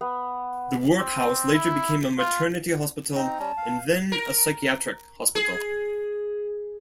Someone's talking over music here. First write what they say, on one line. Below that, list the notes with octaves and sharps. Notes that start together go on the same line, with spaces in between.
The workhouse later became a maternity hospital and then a psychiatric hospital.
B3
C4
E4
F4
C4 D#4 A#5
G3 C#4 A5 A#5
F5
A#4
G#4